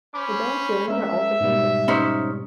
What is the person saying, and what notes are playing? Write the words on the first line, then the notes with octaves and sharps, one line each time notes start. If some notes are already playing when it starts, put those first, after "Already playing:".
The dome ceilings are also painted.
C#4 C5 B5 D6
G#3 C#4 A#4 E5
G#2 B2 G3
C#4 D#4 C5